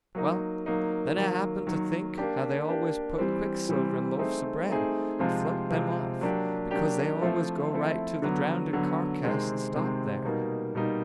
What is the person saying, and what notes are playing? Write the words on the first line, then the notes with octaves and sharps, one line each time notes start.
Well, then I happened to think how they always put quicksilver in loaves of bread and float them off, because they always go right to the drownded carcass and stop there.
F#3 A#3 D#4
F#3 A#3 D#4
D#3 F#3 A#3
D#3 F#3 A#3
A#3 D4 G4
A#3 D4 G4
E3 G3 C4
E3 G3 C4
A3 C4 D#4 G#4
A3 C4 D#4 G#4
C3 F3 G#3 C4 F4
C3 F3 G#3 C4 F4
F#3 A#3 D4 G4
F#3 A#3 D4 G4
F3 A3 C4 E4 A4
F3 A3 C4 E4 A4
D3 F#3 B3
D3 F#3 B3
C3 D#3 G#3 C4
C3 D#3 G#3 C4
B2 G3 A#3 D#4
B2 G3 A#3 D#4